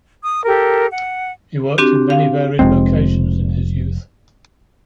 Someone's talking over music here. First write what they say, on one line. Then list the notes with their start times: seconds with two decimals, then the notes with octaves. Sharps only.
He worked in many varied vocations in his youth.
0.23 D#6
0.45 G4 A4 A#4
0.90 F#5
1.78 C4 D4 F#4 G4
2.10 F5
2.59 F1 F#2 G#3 C4